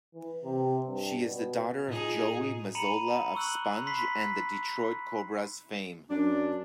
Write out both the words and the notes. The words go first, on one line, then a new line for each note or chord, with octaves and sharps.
She is the daughter of Joey Mazzola of Sponge and The Detroit Cobras fame.
E3
C3
G2
B2
A2 D#4 F4 G#4
A#5 B5 C#7 D#7 F7 F#7
C#6 E6 F#6 F#7
B5 C6 B6 C7
F#2 D4